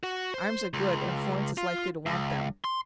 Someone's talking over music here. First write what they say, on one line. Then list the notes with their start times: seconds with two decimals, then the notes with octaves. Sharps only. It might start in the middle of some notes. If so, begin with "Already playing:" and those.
Arms are good, and Florence is likely to want them.
0.03 F#4
0.34 C5
0.74 C#2
1.58 F4
2.06 C#2
2.64 C6